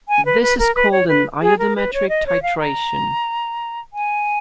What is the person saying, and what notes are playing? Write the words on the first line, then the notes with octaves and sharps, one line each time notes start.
This is called an iodometric titration.
G#5
B4
B4
A#4
B4
C#5
B4
G#4
A#4
B4
C#5
D#5
C#5
F5
A#5
G#5